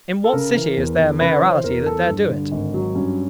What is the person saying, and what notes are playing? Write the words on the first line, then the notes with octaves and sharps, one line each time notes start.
In what city is there a mayoralty that dare do it?
A4
C#3 A#4
E3
E2
E2
C#3 B4
C#5
E3
C5
E2 A#4
E2 A4
G2
D3
G#1
F#3
G2 C#4